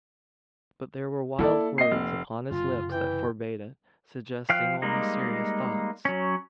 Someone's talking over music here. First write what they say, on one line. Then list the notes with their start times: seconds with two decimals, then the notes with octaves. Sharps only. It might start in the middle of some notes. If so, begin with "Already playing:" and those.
But there were wild words upon his lips that forbade it--suggesting only serious thoughts.
1.39 A#3 E4 A4 D5
1.78 D#5 C7
1.91 F1
2.51 F#1 F#2 C3 F4
2.92 E3 G5
4.49 F3 F5 G5 F6 F#6
4.82 G3 G#3 A#3 D#4
6.05 F#3 C#4